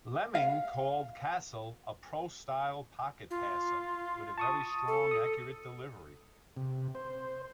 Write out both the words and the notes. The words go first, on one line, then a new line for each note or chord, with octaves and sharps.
Lemming called Cassel a pro-style pocket passer with a very strong, accurate delivery.
F5
F4
A5 C#6 D#6
A4
D#6
C3
C5